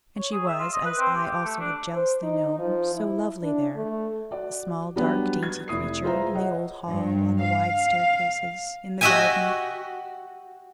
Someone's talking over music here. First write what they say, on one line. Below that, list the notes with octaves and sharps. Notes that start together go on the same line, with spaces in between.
And she was, as I also had jealously known, so lovely there, the small, dark, dainty creature, in the old hall, on the wide staircases, in the garden....
C#5
G#4
E5
F4
D#5
B4
C4
G4
A3
D4
C5
D#4
F3
E4
D4
A3
F#4 D5
F#3 G3 B3 D4 F#4
G#6
F1 E4 D#6 C7
F4 G#4 B4 C5 E5 A#5
C#5 D#5 E5 F#5
G2
F5
F#4 G4 D#5 E5 G5 G#5